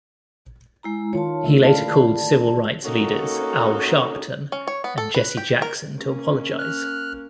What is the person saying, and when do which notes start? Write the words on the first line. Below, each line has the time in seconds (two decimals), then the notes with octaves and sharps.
He later called civil rights leaders Al Sharpton and Jesse Jackson to apologize.
0.83 G#3 E4 A#5
1.13 D#3 F4 C#5 A5
1.44 D3 A3 E5
1.63 A#3 E4 D5 F5 A5
2.84 A#3 C#4 D#4 F#4 A4
4.52 C#4
4.68 C#5
4.84 B3
4.98 A4
5.14 B4
5.37 G4
5.62 A#4
5.96 A#3 C#4
6.59 F6 F#6